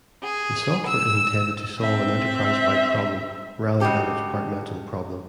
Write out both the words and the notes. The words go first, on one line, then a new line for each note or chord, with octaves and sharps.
The software is intended to solve an enterprise-wide problem, rather than a departmental problem.
G#4
E6
C4 E5
C#3 G#3 F#4 G4 A4